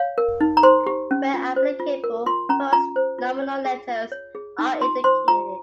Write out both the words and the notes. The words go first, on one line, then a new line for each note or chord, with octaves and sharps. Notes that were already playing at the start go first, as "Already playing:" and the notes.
Where applicable, post-nominal letters are indicated.
Already playing: C#5 F5
A#4
D#4
A#5
C5 C6
G4
C#4
F4
C5
F4
A#4
F4 C6
C#4 A#5
F4 A#5
C5
F4
C#5
G#4
F4
C#5
G#4
D#4
F4 C6
C5 C6
F4 A#5